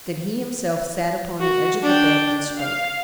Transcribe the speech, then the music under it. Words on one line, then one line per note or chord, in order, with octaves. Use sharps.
Then he himself sat upon the edge of the bed and spoke.
F#4
D4 G5
F5